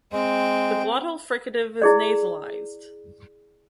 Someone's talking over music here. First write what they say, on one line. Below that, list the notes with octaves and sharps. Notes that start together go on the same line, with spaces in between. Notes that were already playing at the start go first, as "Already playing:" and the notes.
The glottal fricative is nasalized.
G#3 C4 G5
E4 G#4 D5